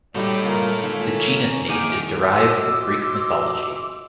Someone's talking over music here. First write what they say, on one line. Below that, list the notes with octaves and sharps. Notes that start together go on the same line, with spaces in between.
The genus name is derived from Greek mythology.
G2 D#4 F#4 G4 A4 C#5 D5
C#3 F4 A#4
D#3 G#3 A#3 C#4 F4
A#2 D#3 E4 F#4 G#4 D6
F#4 D#5 C6 D6 E6